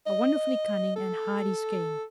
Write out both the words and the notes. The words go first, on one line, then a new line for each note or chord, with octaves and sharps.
A wonderfully cunning and hardy scheme!
D#5
A4